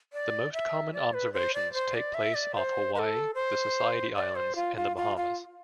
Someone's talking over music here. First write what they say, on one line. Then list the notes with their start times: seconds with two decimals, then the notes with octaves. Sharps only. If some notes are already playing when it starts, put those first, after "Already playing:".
The most common observations take place off Hawaii, the Society Islands, and the Bahamas.
0.13 D5
0.53 E5
0.93 D5
1.14 B4
1.33 C5
1.54 D5
1.73 C5
1.94 D5
2.14 E5
2.34 D5
2.55 C5
2.95 B4
2.99 A4
3.35 C5
4.16 D5
4.35 C5
4.56 F4
4.77 F4
4.97 F4
5.17 F4